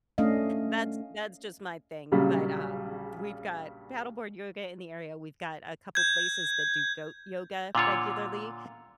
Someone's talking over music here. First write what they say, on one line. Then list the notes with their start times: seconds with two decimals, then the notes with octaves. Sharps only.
that's that's just my thing, but, um, th we've got paddleboard yoga in the area, we've got a couple places that do goat yoga regularly,
0.18 A3 C#4 D4 D#5 F5
2.12 A#1 C#3 F#3 G3
5.95 G6 G#6
7.75 A#2 D3 F4 C#5